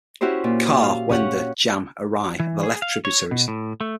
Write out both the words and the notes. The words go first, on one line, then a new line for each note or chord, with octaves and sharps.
Kar, Wena, Jam, Erai are the left tributaries.
C#4 E4 F#4 G4 C5
A#2
F5
C#4 G4 C#5 F#5
E3
G#4
F5
C#5
B2
A2
A3